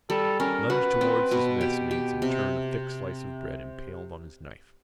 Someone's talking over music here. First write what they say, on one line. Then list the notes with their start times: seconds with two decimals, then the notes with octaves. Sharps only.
He lunged towards his messmates in turn a thick slice of bread, impaled on his knife.
0.10 G3 A4
0.40 C#4 A#4
0.70 F#4 B4
1.01 C4
1.31 B2
1.61 G4
1.91 G4
2.22 C3